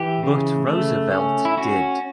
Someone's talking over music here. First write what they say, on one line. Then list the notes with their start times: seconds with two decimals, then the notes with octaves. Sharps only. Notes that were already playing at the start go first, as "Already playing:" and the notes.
But Roosevelt did.
Already playing: E3 G4
0.23 C#3
0.67 A3
1.12 C#4
1.45 E4
1.57 C#4 F#4